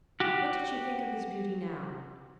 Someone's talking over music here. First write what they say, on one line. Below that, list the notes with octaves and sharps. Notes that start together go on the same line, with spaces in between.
What did she think of his beauty now?
F#4 G4